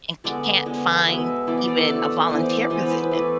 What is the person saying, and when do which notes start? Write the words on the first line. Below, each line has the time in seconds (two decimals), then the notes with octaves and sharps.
and can't find even a volunteer position
0.24 D3 G#3 B3 D5
0.66 D3 G#3 B3
1.06 B2 G#3 B3 E5
1.47 E3 B3 D5
1.57 D5
1.67 D5
1.78 A4
1.88 B2 A3 D5
2.29 E3 B3 C5
2.43 D5
2.57 D5
2.70 E3 G#3 B3 C5
2.81 B4
2.91 C5
3.02 B4
3.11 E3 A3 D5